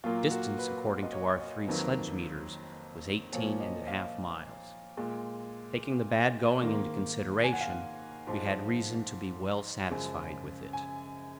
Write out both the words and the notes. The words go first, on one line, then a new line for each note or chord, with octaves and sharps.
The distance according to our three sledge-meters was eighteen and a half miles; taking the bad going into consideration, we had reason to be well satisfied with it.
A#2 F#3 A#3 F4
F#4
B4
D#5
C#5
D#5
F2 D#3 F#3 A#3 B4
A#2 F3 A#3 C#5
D#5
F5
A#2 G#3
G#2 D#3 A#3
G#5
F#5
F5
F#5
G#2 F3 G#3
F#2 C#3 F3 G#3
G#5